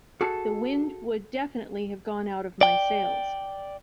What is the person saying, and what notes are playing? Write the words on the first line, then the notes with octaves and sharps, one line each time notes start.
The wind would definitely have gone out of my sails.
F#4 G#4 A4 A5
D5 G5